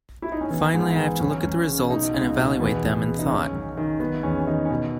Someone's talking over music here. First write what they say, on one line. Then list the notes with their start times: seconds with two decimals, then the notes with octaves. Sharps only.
Finally I have to look at the results and evaluate them in thought.
0.22 E4
0.32 D#4
0.41 C#4
0.50 E3 B3
0.73 G#2
0.97 E3
1.20 F#2 C#4
1.44 F#2
1.67 C#3
1.90 B2 D#4
2.14 C#2
2.37 B2
2.60 E2 B3
2.84 E2
3.07 C#3
3.19 D#4
3.30 D#3 C#4
3.53 F#2
3.77 D#3
4.00 D#3 B3
4.23 E2 C#4
4.40 C#4
4.47 D#3 D#4
4.65 C#4
4.70 B2 B3